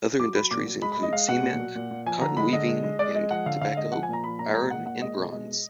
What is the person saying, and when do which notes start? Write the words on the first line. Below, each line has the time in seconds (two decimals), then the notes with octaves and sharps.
Other industries include cement, cotton weaving, and tobacco, iron and bronze.
0.20 F#3 D6
0.35 F#3 B5
0.51 A#2 D6
0.67 F#3
0.82 G#3 B5
0.92 B5
0.98 G#3
1.03 D#5
1.13 G#3 F5
1.28 B2 F#5
1.44 A#2
1.60 F#3
1.75 A#2
1.91 A#2
2.06 F3 G#5
2.21 D3 A#5
2.37 G#3 B5
2.53 D3 D#5
2.68 G#3
2.84 G#3
2.99 G#3 D5
3.15 G#3 D#5
3.31 F3 F#5
3.46 D3 F5
3.62 D3 F5
3.77 G#3 D#5
3.92 F3 F#5
4.03 G#5
4.09 A#2 A#5
4.24 F3 B5
4.39 A#2 A#5
4.55 G#3 A#5
4.70 A#2 F#5
4.86 A#2 F#5
5.01 G#3 D#5
5.17 B2
5.33 G#3
5.48 G#3